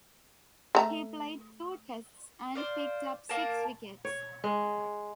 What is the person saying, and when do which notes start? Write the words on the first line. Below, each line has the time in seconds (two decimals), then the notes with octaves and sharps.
He played two tests and picked up six wickets.
0.75 A3 A#5
2.55 C5 D5 F5
3.29 A#3 A#4 A5
4.05 C#5
4.44 G#3